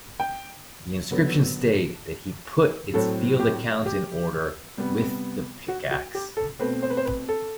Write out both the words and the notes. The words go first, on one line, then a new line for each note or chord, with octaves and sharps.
The inscriptions state that he "put its field accounts in order" with the pick-axe.
G5
D3 F#3 B3 B4
A2 F#3 C4 A4
G4
G4
C3 G3 B3
F#4
F#4
G4
A4
B2 A3 C4 B4
C5
B4
C5
B4
A4